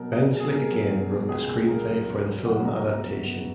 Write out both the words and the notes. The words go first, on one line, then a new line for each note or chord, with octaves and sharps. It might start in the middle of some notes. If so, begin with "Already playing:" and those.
Benchley again wrote the screenplay for the film adaptation.
Already playing: B2 F#3 A#4
B2 G#4
B2
G#4
B2 A#4
F#3
F#3
B2
C#2 G#4
A#3
A#3 A#4
F#3
A#3
F#3
F#3 F#5
C#2 A#5
B3 A#5
F#2
B3